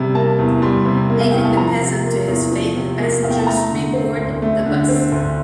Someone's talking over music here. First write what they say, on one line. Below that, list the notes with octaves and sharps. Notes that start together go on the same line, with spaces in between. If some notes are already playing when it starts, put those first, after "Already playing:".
Leaving the peasant to his fate, the passengers reboard the bus.
Already playing: C3 G3
A#3 A5
E2
G3 C6
C3
A#3
F5
E2 G5
A5
F3 A#5
C3
A#3
E2
F3
C3
A#3
E2 F5
G5
A5
A3 A#5
D3
C4
D2
A3
D3
C4
D2